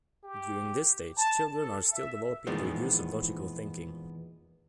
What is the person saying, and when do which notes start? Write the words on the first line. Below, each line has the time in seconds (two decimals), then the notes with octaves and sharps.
During this stage children are still developing their use of logical thinking.
0.24 G4
1.17 A5
1.59 A4
1.92 E5
2.47 E2 A#2 D#3 F3 G#3 B3